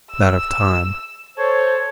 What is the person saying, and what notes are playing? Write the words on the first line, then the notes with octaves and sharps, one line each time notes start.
That of Time.
E6
A4 C5 C#5